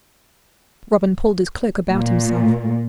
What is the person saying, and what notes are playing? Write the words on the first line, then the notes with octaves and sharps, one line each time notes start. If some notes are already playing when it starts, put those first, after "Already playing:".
Robin pulled his cloak about himself.
A#2